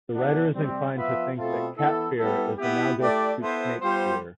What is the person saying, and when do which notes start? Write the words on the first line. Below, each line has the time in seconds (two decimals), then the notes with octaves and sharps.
The writer is inclined to think that cat-fear is analogous to snake-fear.
0.13 C3 E3 B3 D4
0.53 C3 G3 C4
0.94 F3 B3 F4 B4 E5
1.35 B2 A3 C4 F4 A4
1.76 E3 B3 E4 A4
2.17 G3 B3 E4 A4
2.58 B3 E4 G4
2.99 A3 E4 G4 D5
3.40 B3 E4 A4 C5
3.80 G3 B3 F4 C5